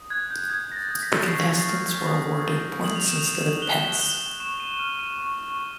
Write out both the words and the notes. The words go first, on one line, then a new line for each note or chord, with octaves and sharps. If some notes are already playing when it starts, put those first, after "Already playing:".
The contestants were awarded points instead of pence.
Already playing: D#6
F#6 G#6
G6
D#6 G#6
A#6
A6
D#6
B6
B6
C#6 C7
F6
D#6
G6
D#6 F#7
F7
E7
D#6 F7
F#6 G7
F#6 G7
C#6 E7
D#7
F6 D#7
D#7
C#6
C#6